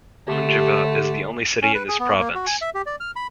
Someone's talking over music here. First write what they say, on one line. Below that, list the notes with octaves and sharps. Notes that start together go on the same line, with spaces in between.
Ondjiva is the only city in this province.
D3 A3 G4
C#4
B4
G#4
B3
A#3
F#4
G#5
E5
G4
D5
F6
B5